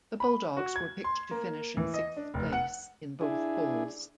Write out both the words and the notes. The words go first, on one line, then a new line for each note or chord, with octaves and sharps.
The Bulldogs were picked to finish in sixth place in both polls.
B5
F#4
G#6
C6
A#3
E3
D#5
D4
F1
F#5
D4 E4 G#4